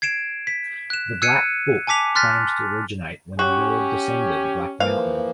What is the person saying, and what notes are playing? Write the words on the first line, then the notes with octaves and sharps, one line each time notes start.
The "Black Book" claims to originate when the Lord descended Black Mountain.
G#6 C7 D7 E7
B6
F#6 E7
E6 F#6 G#6 C7 C#7 D#7
G#5 A5 D6 B6 F7
C6 F6 F#6 A6 B6
C#4 F#4 G4
E3 F3 A#3 F5